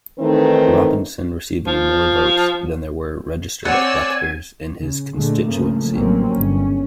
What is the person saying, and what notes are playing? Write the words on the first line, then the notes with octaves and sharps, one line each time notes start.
Robinson receiving more votes than there were registered electors in his constituency.
D#3 E3 A3 C4 D#4 B4
F3
C4 C#5 D5 F#5 G#5 E6
C#3
A#2 D3 G#3 A3
G2 C#3 F3 A3 A#3
A1 F#3 G3 A#3 C4 C#4
G1 C#4